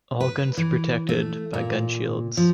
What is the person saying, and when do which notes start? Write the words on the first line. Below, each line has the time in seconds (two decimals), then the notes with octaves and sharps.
All guns were protected by gun shields.
0.20 B4
0.57 E3
1.09 A3
1.54 A#2
2.37 F3